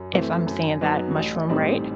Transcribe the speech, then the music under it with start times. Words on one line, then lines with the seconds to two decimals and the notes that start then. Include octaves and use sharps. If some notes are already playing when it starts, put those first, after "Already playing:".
if I'm saying that mushroom right,
Already playing: F#2
0.13 E3 A3 C4
0.47 F#2
0.81 F#3 B3 D#4 F#4
1.15 A1
1.49 A2 G3 C4 D#4